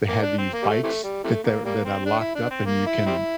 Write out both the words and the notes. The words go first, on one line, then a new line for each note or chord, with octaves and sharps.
they had these bikes that they're that are locked up and you can
A#3
D4
C4
A#3
G3
A3
C3 E3 A3
G3
C3 E3 A3
A#3
G3 A#3
C4
D4
E4
D4
C4
A#3
E4
G3 C4 E4